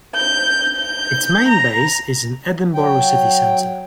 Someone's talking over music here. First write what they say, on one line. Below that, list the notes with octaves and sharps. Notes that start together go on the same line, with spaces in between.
Its main base is in Edinburgh city centre.
G6
G6
A#5
F#3 G5